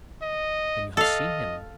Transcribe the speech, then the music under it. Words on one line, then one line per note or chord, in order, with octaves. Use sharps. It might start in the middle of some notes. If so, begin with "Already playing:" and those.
"Then you have seen him?"
D#5
A4 D#5 F5